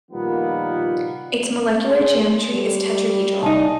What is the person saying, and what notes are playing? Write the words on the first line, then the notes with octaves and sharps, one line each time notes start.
Its molecular geometry is tetrahedral.
A#2 D#3 F3 G3 A#3 B3
G#4 C6
G3
C2 D#4 D5 G#5 A5